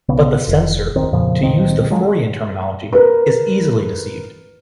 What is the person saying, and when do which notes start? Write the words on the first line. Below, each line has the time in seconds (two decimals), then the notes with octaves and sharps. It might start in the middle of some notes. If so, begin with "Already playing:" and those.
But the ‘censor’, to use the Freudian terminology, is easily deceived.
0.09 B1 C#3 B3
0.48 F1
0.96 D1 G1 D#3 C4
1.12 F2 A#2 C#3 F3
1.42 C#2 A#2 D#3 C4
1.91 F3 F#3 G#3
2.93 A#4 B4